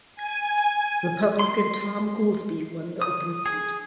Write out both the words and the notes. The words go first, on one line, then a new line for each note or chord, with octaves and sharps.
Republican Thom Goolsby won the open seat.
G#5
C6
D#6
G#4